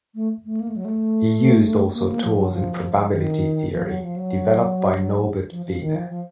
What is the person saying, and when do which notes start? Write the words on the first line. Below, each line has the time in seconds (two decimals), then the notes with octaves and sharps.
He used also tools in probability theory, developed by Norbert Wiener.
0.15 A3
0.45 A3
0.60 A#3
0.69 A3
0.76 F#3
0.85 A3
1.94 A#3
2.08 A#3
2.23 F3
2.38 F#3
2.53 F3
3.12 D#3
3.73 F3
3.87 F#3
4.03 F3
4.16 F#3
5.51 F3
5.66 F3
5.81 D#3
5.96 F3
6.10 F3